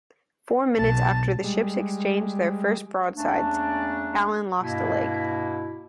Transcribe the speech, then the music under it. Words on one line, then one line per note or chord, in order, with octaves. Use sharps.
Four minutes after the ships exchanged their first broadsides, Allen lost a leg.
B1 A5
G3 G#3
E2 A3 A#3 C#4 D4
G2 B2 A#3 E4